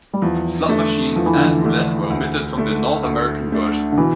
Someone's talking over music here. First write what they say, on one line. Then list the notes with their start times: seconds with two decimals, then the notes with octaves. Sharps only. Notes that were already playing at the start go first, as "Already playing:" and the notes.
Slot machines and roulette were omitted from the North American version.
0.13 G3
0.22 E2 F3
0.68 D3 A3 D4
1.16 E2 F3
1.26 E3
1.36 D3
1.46 E3
1.63 D3 A3 D4
2.10 D2
2.56 D3 A3 D4
3.03 D2
3.51 D3 A3 D4
3.92 D3
3.97 B2 E3